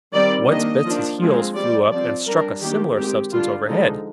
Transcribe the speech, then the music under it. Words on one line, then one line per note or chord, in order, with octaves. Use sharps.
Once Betsy's heels flew up and struck a similar substance overhead.
D#3 G3 C4 D5
D#3 A#3 D4 D#5
F3 A#3 D4
F3 G#3 C4
G3 C4 D5
F3 C4 D5
G3 D4 A#4
D#3 A#3 D4 G4
D#3 G#3 C4 G4
D3 G3 D4 F4
D3 F3 G#3 D#4